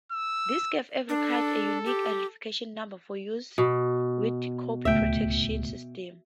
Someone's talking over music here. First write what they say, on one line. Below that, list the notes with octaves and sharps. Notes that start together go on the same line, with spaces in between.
This gave every card a unique identification number for use with copy protection systems.
E6
D4 A4
G4
B2
D1 C#2 A3 E5 G5